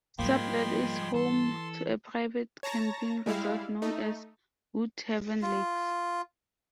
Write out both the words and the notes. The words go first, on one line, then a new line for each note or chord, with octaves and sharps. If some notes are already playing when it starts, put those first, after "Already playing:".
Sublette is home to a private camping resort known as Woodhaven Lakes.
G#2 F3 G3 G#3 A#3 G5 B5 C6
E3 A4 C6
C#5 A5 A#5 A#6
G3 G#3 E4 F5
A3 D#4
F4